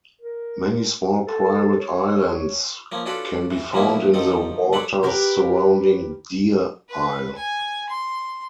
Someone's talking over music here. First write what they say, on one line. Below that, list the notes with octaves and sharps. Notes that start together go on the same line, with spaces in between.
Many small private islands can be found in the waters surrounding Deer Isle.
A#4
A4
C#5
F3 A#3 C#4
C#4 D4 F4 F#4 A4 B4
E3
A#2 E3 F3 A#3 C#4 E4
F#2 D#3 F3 A4
F#3 A4 B4 D5 F#5
G4 A#4 B4
B4
G#5
C6